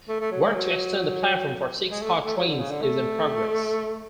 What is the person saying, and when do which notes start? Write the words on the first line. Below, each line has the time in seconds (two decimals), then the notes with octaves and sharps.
Work to extend the platform for six-car trains is in progress.
0.09 A3
0.20 A3
0.31 F#3
0.42 G#3
0.54 F#3
1.91 G#3
2.02 A3
2.25 A3
2.36 F#3
2.48 D3
2.59 C#3
2.71 D3
2.82 A3